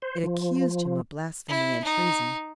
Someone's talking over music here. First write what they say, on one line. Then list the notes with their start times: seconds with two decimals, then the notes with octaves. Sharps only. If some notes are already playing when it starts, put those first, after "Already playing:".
It accused Him of blasphemy and treason.
0.02 C5
0.24 F3
1.48 E4
1.84 D#4